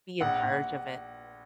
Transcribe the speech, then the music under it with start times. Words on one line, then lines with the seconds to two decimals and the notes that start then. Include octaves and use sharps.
be in charge of it.
0.21 A#1 F#5
0.43 A#1